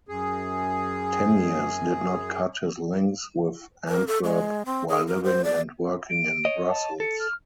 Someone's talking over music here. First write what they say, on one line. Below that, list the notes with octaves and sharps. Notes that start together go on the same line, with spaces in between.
Teniers did not cut his links with Antwerp while living and working in Brussels.
F#2 G#4
A#4
A4
G#3
C4
G#4
A#4
C5
D5
D7
C#5 D#5
A5
A4 C#7
F6